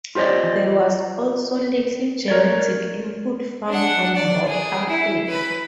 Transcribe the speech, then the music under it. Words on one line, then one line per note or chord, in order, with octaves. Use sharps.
There was also little genetic input found from North Africa.
F4 G4 C5 D5 D#5
A#4 C#5 D5
D4 F#5
D5
G#4
E4
B4 B5